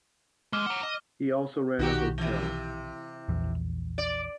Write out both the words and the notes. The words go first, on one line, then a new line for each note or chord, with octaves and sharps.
He also ran a hotel.
G#3 D6 F6 G7
F#5 A#5
D#5
B1 D#3 D#4 F#4 G4
C3 E3
A#1 E2
D5